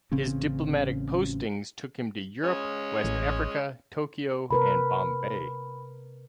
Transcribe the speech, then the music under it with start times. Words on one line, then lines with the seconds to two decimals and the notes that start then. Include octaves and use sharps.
His diplomatic postings took him to Europe, West Africa, Tokyo and Bombay.
0.12 A1 C#3 C4 C#4
2.44 G#3 C#4
3.04 A1
4.51 C3 A#4 B4 B5